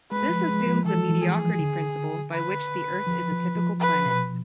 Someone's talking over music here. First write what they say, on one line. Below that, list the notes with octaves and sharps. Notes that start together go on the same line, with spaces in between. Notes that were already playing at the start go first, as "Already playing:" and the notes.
This assumes the mediocrity principle, by which the Earth is a typical planet.
G#3 B4
F3
G#3
F3
E3 A4
E3
G#4
F3
D3
B4
F3
F3
F3
B4
B2